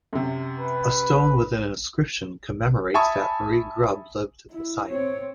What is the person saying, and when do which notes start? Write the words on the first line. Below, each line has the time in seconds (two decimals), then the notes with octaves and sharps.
A stone with an inscription commemorates that Marie Grubbe lived at the site.
0.13 F#2 C3
0.59 B4
2.94 E5 G#5 A5 B5 C#6 D#6
4.51 E4
4.92 C4 C#5